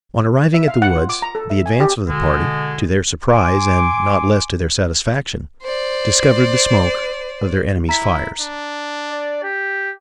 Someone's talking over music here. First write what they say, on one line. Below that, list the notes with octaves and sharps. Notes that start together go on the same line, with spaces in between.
On arriving at the woods, the advance of the party, to their surprise and not less to their satisfaction, discovered the smoke of their enemies' fires.
E5
F5
F#5
F4
D6
A#5
A4
E5
G#5
G4
B2 D3 G#3
G#5 C6 D6
C5 D5
E4 A#5 B6
D4
D5
G4